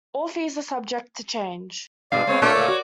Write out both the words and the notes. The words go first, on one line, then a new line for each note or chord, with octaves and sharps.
All fees are subject to change.
G2 B2 G#3 D5 F5
G#3 B3 C4 C#5
A#2 A3 A#3 D4
A#2 A#3 D5
F#4